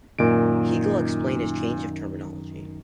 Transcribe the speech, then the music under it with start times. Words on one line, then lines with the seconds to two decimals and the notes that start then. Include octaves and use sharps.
Hegel explained his change of terminology.
0.19 F#2 A#2 D#3 D7